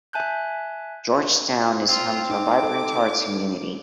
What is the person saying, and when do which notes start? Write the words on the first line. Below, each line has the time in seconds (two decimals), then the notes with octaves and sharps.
George Town is home to a vibrant arts community.
0.13 E5 G#5 A5 F#6 G6
1.88 C4 F4
2.30 D#4 D6
2.63 A4